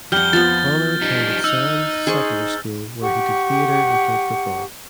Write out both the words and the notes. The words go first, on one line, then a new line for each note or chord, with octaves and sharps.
Connor attended Sands Secondary School where he did theatre and played football.
F2 G3 F#5 F6 G6 G7
F3 B3 A6
G3 D#4
D#4 E6
G#4 C5 C#6
G4 F#5 C#6